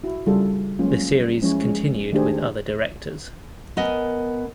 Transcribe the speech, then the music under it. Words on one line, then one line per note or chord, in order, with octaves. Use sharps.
The series continued with other directors.
E4 F#4
C#3 G3 F4 G#4 A4
F#3 G#3 A#3 C#4 F4
F3 G#3 C#4 E4 C#5
G#3
D#3 A3 D4 G4 G#4 C5
B3 A#4 D#5 G#5